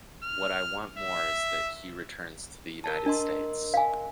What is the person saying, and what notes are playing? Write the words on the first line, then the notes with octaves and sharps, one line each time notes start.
What I want more is that he returns to the United States.
F6
E5
A#4 A5
D4 A#4 D#5 C6
F5 G#5